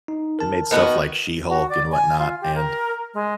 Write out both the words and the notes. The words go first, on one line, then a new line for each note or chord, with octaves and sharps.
they made stuff like She-Hulk and whatnot, and
D#4
A#4 A5
D#3 B3 F#4
F#4
D5
G#5
F4
G4
A#4
G#3